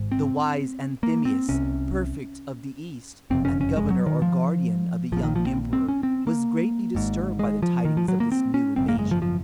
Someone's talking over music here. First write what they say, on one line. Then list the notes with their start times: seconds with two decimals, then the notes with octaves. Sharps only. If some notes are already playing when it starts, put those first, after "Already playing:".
The wise Anthemius, prefect of the east, and governor or guardian of the young emperor, was greatly disturbed by the tidings of this new invasion.
Already playing: G#1 G#2
0.12 C4
1.03 A#3
1.25 C4
1.49 C2 C3 C#4
3.30 F#1 F2 C3 C4
3.45 C#4
3.61 C#4
3.76 G#3
3.90 F#3
4.06 D#3
4.22 F3
5.12 A#1 A#2 F3
5.23 D#3
5.36 F3
5.47 C4
5.73 C4
5.89 C#4
6.03 C4
6.27 A#3
6.95 G#1 G#2
7.39 G#3
7.63 F3
7.85 D#3
7.97 F3
8.08 F#3
8.20 A#3
8.32 C4
8.54 C#4
8.76 G#1 F#2 C#3 C4
8.88 A#3
8.99 G#3
9.11 F3
9.22 F3